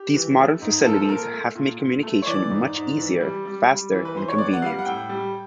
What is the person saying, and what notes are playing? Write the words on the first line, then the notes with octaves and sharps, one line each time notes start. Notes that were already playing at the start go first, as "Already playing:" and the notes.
These modern facilities have made communication much easier, faster and convenient.
Already playing: G4
E3
A3
G#2
A#4
F3 A4
A4
A#2 A#4
A3
A#2
A#2
A3
C#5
E3 D5
G#2
G#2
E3
G3
G3
G3
E3
B4
E3 C5
C#5
B3 D5
F#5
G3 F5
F#5
A2 G5
G3